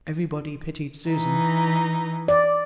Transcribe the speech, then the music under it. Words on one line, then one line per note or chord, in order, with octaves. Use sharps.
Everybody pitied Susan.
E3 D#4
D5